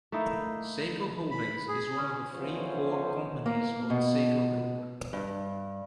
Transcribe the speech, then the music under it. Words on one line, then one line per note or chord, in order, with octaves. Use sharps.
Seiko Holdings is one of the three core companies of the Seiko Group.
A3 A#3 D#4 E4
B5
G#4
C#4
D3 E3 F3 B3 C#4 C5
A#3
B2
G2